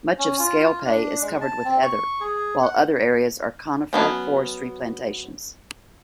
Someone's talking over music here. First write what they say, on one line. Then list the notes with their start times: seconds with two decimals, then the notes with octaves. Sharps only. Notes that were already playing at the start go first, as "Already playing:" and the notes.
Much of Scalpay is covered with heather, while other areas are conifer forestry plantations.
0.19 C#4
0.39 F4
0.60 F4
0.85 D4
1.21 G#3
1.41 A5
1.65 C4
1.82 C#6
2.21 G#4
2.63 F#5
3.93 F#3 G#3 B3 C#4